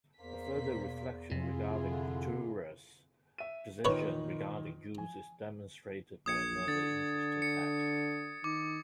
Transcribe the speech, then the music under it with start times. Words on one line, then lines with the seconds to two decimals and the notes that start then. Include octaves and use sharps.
A further reflection regarding Petliura's position regarding Jews is demonstrated by another interesting fact.
0.20 E2 A#3 C5 B6
0.57 B2
1.32 F2 C3 E4 F4 G#4
1.89 D3
3.38 E5 D#7
3.85 A#2 D#3 D#4 B4 C#5
4.98 G#5
6.26 A#1 D#6 G#6 C#7
6.68 D3 A6
7.42 C#7
8.44 D#3 D6